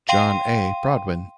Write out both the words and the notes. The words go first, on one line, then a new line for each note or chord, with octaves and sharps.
John A. Broadwin.
F5 G5 C6 D#7